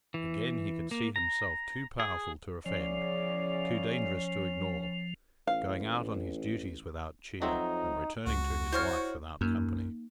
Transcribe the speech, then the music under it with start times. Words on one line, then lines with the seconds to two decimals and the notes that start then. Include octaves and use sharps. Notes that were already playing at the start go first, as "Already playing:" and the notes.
Again, he could see himself too powerful to offend, too dangerous to ignore, going out on his duties without cheer, and returning to his wife without company.
0.14 E3
0.91 A#3
1.16 A#5
2.00 G#4
2.66 E2 C#3 F3 C#4 D5
5.47 A1 F5
7.42 F2 F#3 C4 D#4 E5
8.26 C#2 F#4
8.72 E4 C5 C#5 F6
9.41 F#2 A#3 D#4